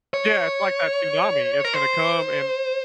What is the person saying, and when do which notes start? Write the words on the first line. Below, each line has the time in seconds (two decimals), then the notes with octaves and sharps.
Yeah, it's like that tsunami, it's gonna come, and
0.14 C#5
1.65 A#4
1.74 C5